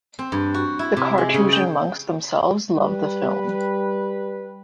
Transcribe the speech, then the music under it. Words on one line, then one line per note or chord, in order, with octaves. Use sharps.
The Carthusian monks themselves loved the film.
C4
G2
F#4
E4
C3
G#3
C#3
G5
G3 B4